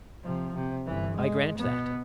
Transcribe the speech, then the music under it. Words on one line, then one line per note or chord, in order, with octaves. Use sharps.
I grant that.
C3 F3
C3
G1 E3
G#3
B2 B3